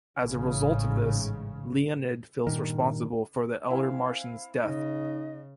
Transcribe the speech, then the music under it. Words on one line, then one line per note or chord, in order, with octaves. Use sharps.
As a result of this, Leonid feels responsible for the elder Martian's death.
A1 G#2 C#3
G2 A#2 D#3
C4 E4 F5 G#5
C#3 D#4 D#5